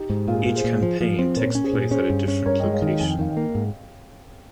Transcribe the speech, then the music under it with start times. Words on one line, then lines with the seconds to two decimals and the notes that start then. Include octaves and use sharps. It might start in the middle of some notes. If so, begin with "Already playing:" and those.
Each campaign takes place at a different location.
Already playing: D#4 G4
0.10 G#2
0.28 A#2 F4 G#4
0.46 A#2
0.56 G#4 C5
0.64 A#2
0.82 F3
1.00 F3
1.19 C4
1.36 A#2 A#4 C#5
1.55 C#4
1.64 G#4 C5
1.73 A#2
1.91 C#4 G#4 C5
2.10 G2
2.28 C#4
2.46 G2 A#4 C#5
2.60 G#3 D#5 G5
2.73 C#5 F5
2.82 D#3 D#5 G5
3.00 F2 G#5
3.10 G5
3.19 D#3 F5
3.30 D#5 G5
3.37 A#3
3.55 G#2